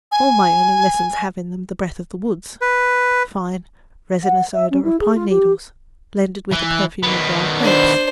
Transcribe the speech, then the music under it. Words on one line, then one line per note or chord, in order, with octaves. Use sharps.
All my early lessons have in them the breath of the woods--the fine, resinous odour of pine needles, blended with the perfume of wild grapes.
G#5
B4
F#5
E5
C#4
E4
G#4
F4
G4
E3
D#3 B3
D4 C5